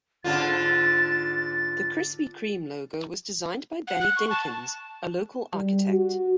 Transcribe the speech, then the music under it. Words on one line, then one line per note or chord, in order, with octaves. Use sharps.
The Krispy Kreme logo was designed by Benny Dinkins, a local architect.
G#2 D3 F4 A6
F#5
F#6
C#6
A5
G3
F#4